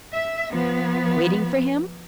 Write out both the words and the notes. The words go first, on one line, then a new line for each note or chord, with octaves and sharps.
Waiting for him?
E5
F3 B3